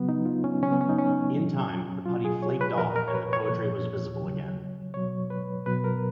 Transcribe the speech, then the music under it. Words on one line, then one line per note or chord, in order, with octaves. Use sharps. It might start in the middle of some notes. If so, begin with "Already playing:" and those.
In time, the putty flaked off and the poetry was visible again.
Already playing: C#3 F#3 B3
D#4
F4
C#4
C#3 F#3 C#4
B3
C#4
D#4
C#4
A#2 F#3
B2 F#3 F4
G#4
C#5
B4
A#2 F3 A#4
A#4
C#5
B4
C#5
A#2 F3
C#3 F#3
B2 F#3 C#5
B4
B2 F#3 B4
A#4